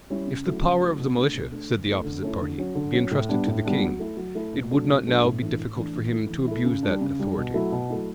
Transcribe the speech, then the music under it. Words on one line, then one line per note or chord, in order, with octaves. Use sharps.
If the power of the militia, said the opposite party, be intrusted to the king, it would not now be difficult for him to abuse that authority.
G3 C#4 E4
C#3
F#3 A3 C#4 E4
C#3
F#3 A3 C#4 E4
B2
A3 D4
B2
A3 D4
D3
A3 C#4 E4
D3
A3 C#4 E4
D3
F#3 C#4
D3
F#3 C#4
A2
G3 B3 D4
A2
G3 B3 D4
F#3
A3 E4
F#3
A3 E4
B2
F#3 A3 D4
B2
F#3 A3 D4
A2
E3 A3 D4
A2
E3 A3 D4
E3
A3 E4
E3
A3 E4
C#3
G3 D4
C#3
G3 D4
B2
F#3 A3 E4
B2
F#3 A3 E4